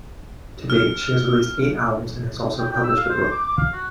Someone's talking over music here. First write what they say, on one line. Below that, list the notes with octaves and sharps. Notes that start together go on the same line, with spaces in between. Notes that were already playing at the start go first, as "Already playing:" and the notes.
To date, she has released eight albums and has also published a book.
F6
G5
G5
E6
F5
C5
D6
D6
F5
F#4